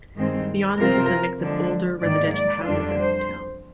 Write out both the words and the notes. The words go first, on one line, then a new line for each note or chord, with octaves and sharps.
Beyond this is a mix of older residential houses and hotels.
G2 D#3 G#3 C4
C3 F3 C4 F4 A#4
D3 F3 G#3 D4
G#2 D#3 A#3 D5
D5
F2 D3 G3 D4 F4
C5